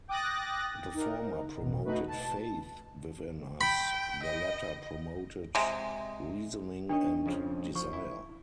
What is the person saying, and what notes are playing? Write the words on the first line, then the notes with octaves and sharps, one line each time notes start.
The former promoted faith within us, the latter promoted reasoning and desire.
G5 D6 D#6 F#6 A6 A#6
D#4 A#4
A1 B2
A3 D#4 F#4 B4
A5
G5 B5
D#5
C3 G#3
D#3 D4 C#5 D#5
F2 C#3 F3
F3 C#6
E4